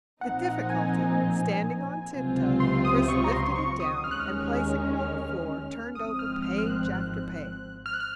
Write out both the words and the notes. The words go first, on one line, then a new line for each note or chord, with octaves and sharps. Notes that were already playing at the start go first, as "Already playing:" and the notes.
With difficulty, standing on tiptoe, Chris lifted it down, and placing it on the floor, turned over page after page.
A#1 A#2 F3 C4 D#4 F#5
F#5
G#5
C#2 C3 F#3 C4 F4
C6
D#6
C#6
A#5
C6
C#6
D#6
D#2 D#3 G#3 C#4 F6
F#6
F6
F6
G#1 G#2 F3 C4 D#6
F6
F6
F6
F#6
F6
F#6
F6